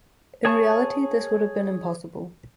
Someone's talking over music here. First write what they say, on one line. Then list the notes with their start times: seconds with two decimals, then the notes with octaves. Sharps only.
In reality this would have been impossible.
0.45 G#4 C#5 A5 C#6 D#6